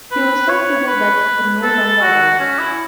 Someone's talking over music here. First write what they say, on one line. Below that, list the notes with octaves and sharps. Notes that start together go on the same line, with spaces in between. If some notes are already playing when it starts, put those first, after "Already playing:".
He was so feeble that he could no longer walk.
B4
C#5
B4
A4
F#4
C#4
E4